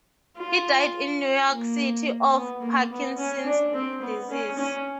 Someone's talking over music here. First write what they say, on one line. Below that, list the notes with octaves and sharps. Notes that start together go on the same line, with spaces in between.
He died in New York City of Parkinson's disease.
F4
A#3
B3
A#3
B3
C#4
D4
C4
B3
C#4
C#4